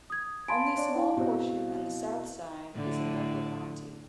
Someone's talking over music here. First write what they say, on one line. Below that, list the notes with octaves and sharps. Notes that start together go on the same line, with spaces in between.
Only a small portion on the south side is in Mercer County.
D#6 G#6
F5 G#5 A5 B5 C6 D7
D4 C#5 D5
E4 F5
B2 C4 F#4
A2 D3